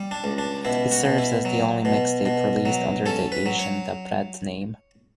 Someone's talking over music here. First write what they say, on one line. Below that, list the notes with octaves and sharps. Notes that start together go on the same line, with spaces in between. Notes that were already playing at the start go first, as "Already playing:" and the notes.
It serves as the only mixtape released under the Asian Da Brat name.
Already playing: G3
D4
C#2
D4
B2 E4
F#4
B2
E4
F#3
B2
B2
F#3
C#4 A4
B4
F#3
C#5